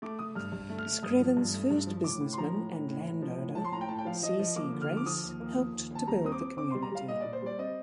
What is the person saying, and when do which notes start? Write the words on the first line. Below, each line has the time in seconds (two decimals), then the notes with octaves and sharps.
Screven's first businessman and landowner, C. C. Grace helped to build the community.
0.02 A3 D6
0.19 A3 D#6
0.35 G2 F6
0.52 G2
0.70 A3
0.78 F6
0.86 A3
1.03 G2 D#6
1.20 F3
1.37 G2
1.54 A3
1.71 G2
1.87 F3
2.04 A2 D6
2.21 A2
2.33 C6
2.38 F3 A#5
2.54 A2
2.72 A2
2.88 A2
3.05 A2
3.22 F3
3.38 A2
3.55 F3 A5
3.64 C6
3.71 A2 A#5
3.81 G5
3.88 A2 A5
3.99 G5
4.05 F3 F5
4.22 F3 D#5
4.39 F3 D#5
4.56 A#3 D6
4.72 D3
4.82 F6
4.90 F3
4.97 D6
5.06 F3 D#6
5.23 D#2
5.40 A#3
5.57 F3
5.73 D#2
5.91 D#2 A5
6.07 G3 A#5
6.24 C4 D#6
6.32 D6
6.41 C4
6.57 C4 D6
6.71 G3 C6
6.82 A#5
6.92 G3 F5
7.08 A#2 D#5
7.21 A#2 D5
7.33 C5
7.42 G3 D5
7.59 C4 D#5